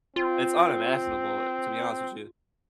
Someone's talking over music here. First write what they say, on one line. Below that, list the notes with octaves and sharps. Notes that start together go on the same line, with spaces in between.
it's unimaginable, to be honest with you.
C4 F4